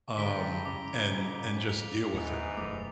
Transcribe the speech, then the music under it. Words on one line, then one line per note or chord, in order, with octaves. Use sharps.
um, and and just deal with it.
G2 D3 G#3 E4 A#5 B6 D7 G7
C#3 D6
F2 G#2
F7
D#2 G#2 E3 B3 D#4 E4
E1 F#2 A3 D6